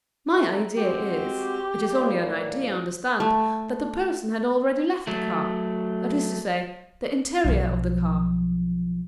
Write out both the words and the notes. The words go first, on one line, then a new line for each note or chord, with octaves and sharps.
"My idea is--it is only an idea, understand--that the person had already left the car--that is to say, the interior of the car."
A3 C4 D#4
G#3 C4 F#4 G4
A2 G3 A#3
A3
F#3 A3
B1 F3